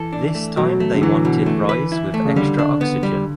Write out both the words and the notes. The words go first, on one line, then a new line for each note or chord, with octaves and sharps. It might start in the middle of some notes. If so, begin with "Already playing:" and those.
This time they wanted rise with extra oxygen.
Already playing: E3 A4
D4
A3
B2 F#3
A3
D3
E3 F#3
B2
A3
B4
E4
A3
C#3
D3 G3
D4
B3
G3